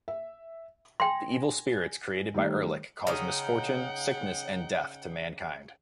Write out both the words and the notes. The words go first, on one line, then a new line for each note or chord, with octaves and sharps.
The evil spirits created by Erlik cause misfortune, sickness and death to mankind.
E5
G5 G#5 C6 A#6
D#3 G3 A3
C#3 D#4 F#5 G5